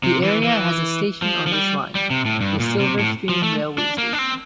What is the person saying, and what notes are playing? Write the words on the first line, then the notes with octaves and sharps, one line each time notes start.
The area has a station on this line; the Silverstream Railway Station.
C3
E3
E3
F3
F3
G3
G3
C3
A2
G2
A#2
C3
A2
F3
A3
D4
A#3
D4
C4